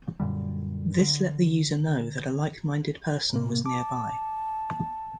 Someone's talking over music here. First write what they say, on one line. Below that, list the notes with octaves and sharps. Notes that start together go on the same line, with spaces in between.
This let the user know that a like-minded person was nearby.
F#2 A#2 D3 G3
D3
A2 C3 A#3
A5 D6